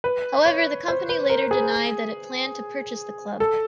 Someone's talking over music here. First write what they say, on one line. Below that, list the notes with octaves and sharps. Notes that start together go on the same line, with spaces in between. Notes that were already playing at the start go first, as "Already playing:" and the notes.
However, the company later denied that it planned to purchase the club.
B4
C#5
C5
B4
A#4
G#4
A4